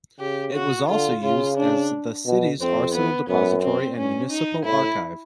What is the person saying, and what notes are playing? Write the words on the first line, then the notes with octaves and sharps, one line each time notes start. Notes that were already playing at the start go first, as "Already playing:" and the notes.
It was also used as the city's arsenal depository and municipal archive.
C#3 G4
F#4
D3 F4
C#3 F4
D4
B2
F2 C4
B3
F#2 B3
C4
G2 C#4
D#4
A2 E4